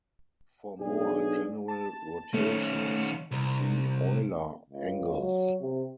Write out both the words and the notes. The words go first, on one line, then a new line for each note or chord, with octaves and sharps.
For more general rotations, see Euler angles.
B1 D4 G#4
A5
D#3 A3 C#4
C2
C#2
F#3
C3